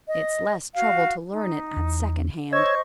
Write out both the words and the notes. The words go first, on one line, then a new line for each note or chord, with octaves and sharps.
It's less trouble to learn it at second hand.
D#5
F#4 F5
D#4
E2
C5 C#5 D#5 C#6 E6 G#6